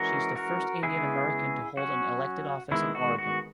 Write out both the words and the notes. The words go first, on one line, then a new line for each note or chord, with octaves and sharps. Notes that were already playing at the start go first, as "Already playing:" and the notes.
She is the first Indian American to hold an elected office in Oregon.
Already playing: E3 G#3 C#4 F#4 A#4
F#4 A#4
C#3 G#3 B3 E4 G#4
F#3 C#4 F#4
D#3 G#3 B3 E4
F#4
F#4